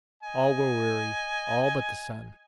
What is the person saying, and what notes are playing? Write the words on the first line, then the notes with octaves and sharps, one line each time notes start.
All were weary, all but the sun.
D#5 G#5